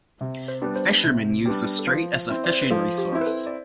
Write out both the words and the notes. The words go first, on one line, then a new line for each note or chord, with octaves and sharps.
Fishermen use the strait as a fishing resource.
C3
C5
G3 B3 D4 B4
C5
C3
G3 B3 D4
A4
F3 B4
C4 E4
D5
C5
B4
F3 A4
G4
C4 E4
B4
A4
D5